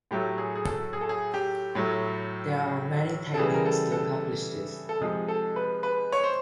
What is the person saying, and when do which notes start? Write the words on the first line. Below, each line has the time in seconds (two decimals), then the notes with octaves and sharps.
There are many techniques to accomplish this.
0.11 A2 F#3 A3 G4
0.38 G#4
0.55 G#4
0.65 A4
0.93 G#4
1.01 A4
1.09 G#4
1.34 G4
1.75 A2 F#3 A3
3.34 A4
3.37 C#3 E3 G3 G#4
3.54 A#4
3.66 A4
3.92 A4
4.89 A4
5.00 C3 F3 G#3 G#4
5.28 A4
5.56 B4
5.83 B4
6.12 C#5
6.24 C5